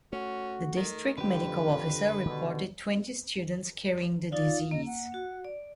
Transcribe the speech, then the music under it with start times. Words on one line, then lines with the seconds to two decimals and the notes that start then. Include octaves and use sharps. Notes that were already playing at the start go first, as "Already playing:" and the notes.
The district medical officer reported twenty students carrying the disease.
0.13 A3 C#4 F#4
0.77 D#3
1.18 F2 D3 G4 B4
2.25 B2 D#3 D4
4.32 D#4 F4 D5 F5
4.71 A#3 D#5
4.87 F#5
5.14 F#4
5.45 D5